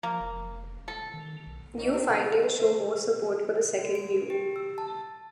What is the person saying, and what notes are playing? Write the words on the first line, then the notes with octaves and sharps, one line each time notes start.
New findings show more support for the second view.
F3 A#3
F1
A4
D#3
B1
E3 C#4 D#4
C4 G4 D5
D#3 B3 D#4
D#2
C4
E4 C5
F#4
D7
G4
E6
A5